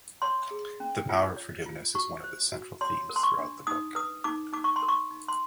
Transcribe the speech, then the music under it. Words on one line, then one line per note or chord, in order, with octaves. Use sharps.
The power of forgiveness is one of the central themes throughout the book.
C#5 C6
G#4
C#4
F4
C#5
F4
F#4 C#6
C5
F#4
C#5 C6
A#4
C6
C#6
D4
D#4 D#6
B4 D#6
D#4 D6
D#4 D6
C#6
C6
A#4
C#6
D#4
C6